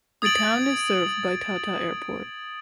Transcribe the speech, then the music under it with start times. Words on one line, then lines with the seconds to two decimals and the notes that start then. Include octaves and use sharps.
The town is served by Tata Airport.
0.22 D#6 G#6 A6 D7 F#7